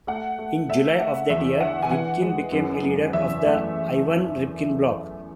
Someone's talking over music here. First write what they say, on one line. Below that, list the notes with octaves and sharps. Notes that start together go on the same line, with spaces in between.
In July of that year, Rybkin became a leader of the Ivan Rybkin Bloc.
A3 F#5
A3
A3 E5
A3 F#5
E2 E5
D3 F#5
G#5
E3 F#5
G#3
F#2
F#2
E2 E5
A3